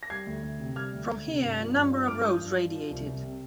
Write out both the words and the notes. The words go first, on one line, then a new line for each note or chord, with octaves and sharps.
From here a number of roads radiated.
A#6
G3 G#6 C7
D2
D2
C3
G3 F6 G#6
D2
D2
C3
G2
F3
G2
F3
G2 D6 F6
F3 D#6 G6
G2
F3
F3
C2
C2
C3